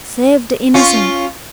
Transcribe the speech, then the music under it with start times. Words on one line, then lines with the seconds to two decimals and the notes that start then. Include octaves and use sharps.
Save the innocent!
0.74 C#4 F4